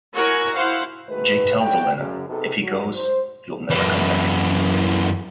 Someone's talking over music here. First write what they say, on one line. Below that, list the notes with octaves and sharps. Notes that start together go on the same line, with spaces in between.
Jake tells Elena if he goes he will never come back.
E4 F#4 A#4 C#5 G#5
E4 C5 F5 F#5
D#3 G#3 A3 F#4 B4
G2 F#4 C#5 D5 G5
F#2 C#3 F#3
C3 B3 D#4 G#4 A4
F#3
C5
F#2 E3